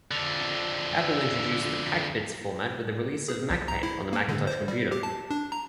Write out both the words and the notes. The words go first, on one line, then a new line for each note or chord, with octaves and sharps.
Apple introduced the PackBits format with the release of MacPaint on the Macintosh computer.
F2 D3
G#4
C2
A#5
E4
A#3
D3
C5
G3
G4
A5
D4
A#5